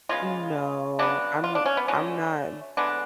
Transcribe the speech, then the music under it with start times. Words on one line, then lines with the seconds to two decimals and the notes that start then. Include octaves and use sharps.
No, I'm I'm not
0.09 C#3 G#3 B3 F4
0.99 C#3 F#3 B3 D4
1.44 F4
1.55 D4
1.66 C#4
1.77 B3
1.88 D3 F#3 A3 C#4
2.77 D3 G#3 B3 D4